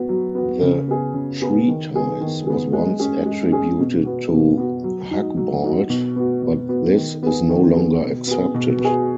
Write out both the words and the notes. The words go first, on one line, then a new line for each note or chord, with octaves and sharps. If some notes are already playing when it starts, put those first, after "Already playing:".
The treatise was once attributed to Hucbald, but this is no longer accepted.
Already playing: B3 F#4
F#3
B3 F#4
C#3
B3 G#4
C#3
B3 G#4
D#3
B3 G#4
D#3
B3 G#4
G#3
C#4 G#4
G#3
C#4 G#4
B2
B3 F#4
B2
B3 F#4
F#3
D#4 F#4
F#3
D#4 F#4
B2
B3 F#4
B2
B3 F#4
D#3
B3 G#4
D#3
B3 G#4
B2
B3 G#4
B2
B3 G#4